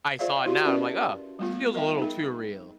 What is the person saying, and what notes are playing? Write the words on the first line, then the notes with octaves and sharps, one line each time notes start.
I saw it now. I'm like, "Oh, this feels a little too real."
F4 G#4 C5 D5 E5 F5
E4 F#4 G4 C6
C#4 A#4 B4 D5 E5
G3 A3 B3 F4
A#4 D#5 E5 G5
D#4 G#4